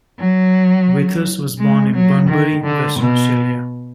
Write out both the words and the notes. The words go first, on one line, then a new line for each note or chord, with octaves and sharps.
Withers was born in Bunbury, Western Australia.
F#3
G#3
F#3
D#3
D3
B2